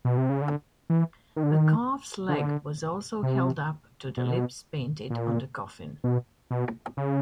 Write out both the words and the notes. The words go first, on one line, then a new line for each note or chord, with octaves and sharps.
A calf's leg was also held up to the lips painted on the coffin.
B2
C3
C#3
D3
E3
D#3
D3
D#3
D3
C3
B2
A#2
B2
B2
C#3